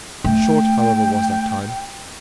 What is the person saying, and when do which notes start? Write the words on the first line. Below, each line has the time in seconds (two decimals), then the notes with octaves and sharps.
Short, however, was that time.
0.24 A3 G5